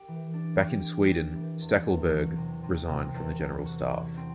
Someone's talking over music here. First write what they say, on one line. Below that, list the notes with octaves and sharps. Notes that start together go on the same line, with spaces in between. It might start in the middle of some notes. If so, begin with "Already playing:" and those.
Back in Sweden Stackelberg resigned from the General Staff.
Already playing: G4
E3
D4
G4
G4
D4
E3
E2
E2
F#3
C3
C3
C3
E2
E2
F#4
F#4
C4